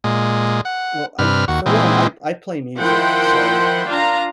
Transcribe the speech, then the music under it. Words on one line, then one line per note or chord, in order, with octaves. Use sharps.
Well, I for one, I I play music, so
A#2 G#3
F#5
G2 C3 B4 F6
D#2 F#4
A#2 E3 G#3 C4
D#3 F3 E4 F#5 G5 C6
D4 F4 F5 A#5